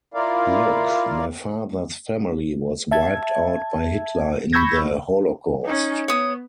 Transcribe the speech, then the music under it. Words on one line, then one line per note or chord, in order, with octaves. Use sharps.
Look, my father's family was wiped out by Hitler in the Holocaust.
E4 F4 A#4 D5 F5
E5 A5 G#6
B5 C#6 E6 G6 G#6 A#6
C#4 D#4
B3 C#5 D#6